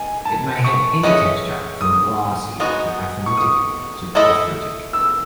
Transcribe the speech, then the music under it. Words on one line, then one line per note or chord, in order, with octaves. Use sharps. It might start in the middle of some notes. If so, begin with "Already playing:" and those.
It may have any texture from glassy to aphanitic to porphyritic.
Already playing: D#3 G#5
A5
C#6
A3 C#4 G#4 B4 D#5
D#6
G#3 B3 D#4 F#4
C#6
D#6
A3 E4 A4 D#5
E6